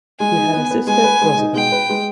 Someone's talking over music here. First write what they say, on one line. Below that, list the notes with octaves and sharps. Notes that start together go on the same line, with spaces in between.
He had a sister Rosabelle.
G#3 G#5
D#4
B3
B3
G#3 G#5
B4
G#3
D#4
G#3 G5
B4
G#3